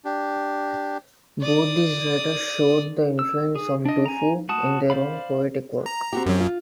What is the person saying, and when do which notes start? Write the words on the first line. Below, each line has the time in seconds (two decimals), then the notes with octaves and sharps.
Both these writers showed the influence of Du Fu in their own poetic work.
0.05 D4 G4
1.41 D5 D#6
3.19 E6
3.56 G#4
3.85 D4 D#5
4.06 G#5 A#5
4.49 F#4 A5 D#6
4.90 C5 D5 F5 B5
5.86 A#5
6.13 C4 F#4 G4
6.26 F#2 F#3
6.40 F4